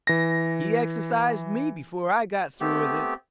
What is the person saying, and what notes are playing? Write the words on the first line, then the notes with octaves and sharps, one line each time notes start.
He exercised me before I got through with it.
E3 A#6
A3 B3 C4 G4